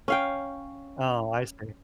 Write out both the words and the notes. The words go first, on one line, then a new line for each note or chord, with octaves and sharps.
Oh, I see.
C#4 F5 G5